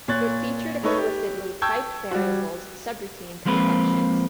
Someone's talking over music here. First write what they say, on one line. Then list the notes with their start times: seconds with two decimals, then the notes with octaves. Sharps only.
It featured explicitly typed variables, subroutines, and functions.
0.08 A#2 C#5 F#6 A6
0.83 A3 D#4 A4 B4 C#5 D#5
0.98 G4
1.62 G5 A5 C#6 E6 G6 G#6
2.11 G3 F#4
3.46 F3 G#3 A#3 C4 B4